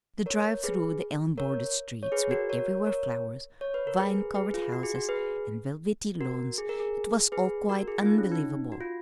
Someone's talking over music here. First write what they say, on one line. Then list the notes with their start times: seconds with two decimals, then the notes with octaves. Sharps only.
The drive through the elm-bordered streets with everywhere flowers, vine-covered houses, and velvety lawns--it was all quite unbelievable.
0.26 A#4 C#5
0.64 G#4 B4
1.38 A#4 C#5
2.03 C#5
2.12 G#4 B4
2.31 F#4 A#4
2.49 A#4 C#5
2.86 A#4 C#5
3.61 C#5
3.74 B4
3.87 A#4
4.00 G#4 B4
4.35 G#4 B4
4.54 F4
4.72 F#4
4.83 G#4
4.95 F#4
5.09 G#4 B4
6.21 F#4 A#4
6.58 G#4
6.69 A#4
6.80 G#4
7.32 G#4 B4
7.69 F#4 A#4
7.88 G#4
8.01 F4
8.06 D#4
8.18 C#4
8.32 D#4
8.72 F#4
8.81 F4